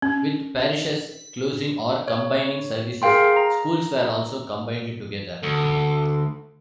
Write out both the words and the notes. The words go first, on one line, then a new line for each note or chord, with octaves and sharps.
With parishes closing or combining services, schools were also combined together.
C#4
C#5
G#4 A#4 F5 G5 C6
A#5
D2 A4